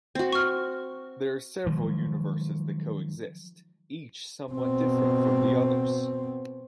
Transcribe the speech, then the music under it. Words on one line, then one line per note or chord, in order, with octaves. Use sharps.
There are several universes that coexist - each somewhat different from the others.
C4 F#4
C#6 F6
D#3 F3 F#3 G#3
B2 C4